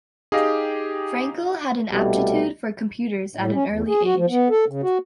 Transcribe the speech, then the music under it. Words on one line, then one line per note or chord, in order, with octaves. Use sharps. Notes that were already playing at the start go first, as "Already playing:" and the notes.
Frankel had an aptitude for computers at an early age.
D#4 G4 G#4 D#5 F5
C2 B2 G3 A3
A2
C#4
E2
G#4
F#4
F3
B3
A4
C#3
F#4